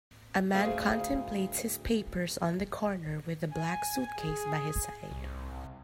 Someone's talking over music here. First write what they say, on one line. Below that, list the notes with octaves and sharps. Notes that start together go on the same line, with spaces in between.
A man contemplates his papers on the corner with a black suitcase by his side.
D2 G#4 F5
G#5
G#4
C2